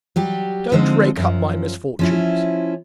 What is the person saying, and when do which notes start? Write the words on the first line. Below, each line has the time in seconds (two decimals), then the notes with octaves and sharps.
"Don't rake up my misfortunes."
0.16 F#3 G3 G4
0.72 D3 F3 G#3 C4 D#4
1.16 F#2 F3
1.99 F3 C#4 E4